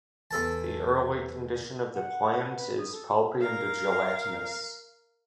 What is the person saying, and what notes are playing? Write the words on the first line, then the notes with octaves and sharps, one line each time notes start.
The early condition of the plant is pulpy and gelatinous.
E2 A4 A5
F#5
B4
D#6
A4
A#4 F5